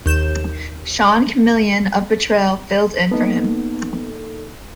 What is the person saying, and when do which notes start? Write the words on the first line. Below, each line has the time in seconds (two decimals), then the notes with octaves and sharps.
Sean Chamilian of Betrayal filled in for him.
0.06 D#2 G6 E7
3.11 A#3 B3 D#4 A4